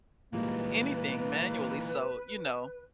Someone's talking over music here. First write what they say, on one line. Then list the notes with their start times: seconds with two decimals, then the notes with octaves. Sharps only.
anything manually, so, you know.
0.33 A#2 E3 G3 G#3 A#3 D#4 B4